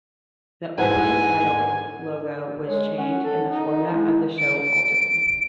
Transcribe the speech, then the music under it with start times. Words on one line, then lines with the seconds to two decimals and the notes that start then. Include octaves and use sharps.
The opening titles logo was changed and the format of the show altered.
0.78 G#2 E4 B4 F#5 G#5
2.67 G#3 C#5
2.98 C#4 F#5
3.24 A4
3.50 D#4
3.91 G#3 E4
4.38 D7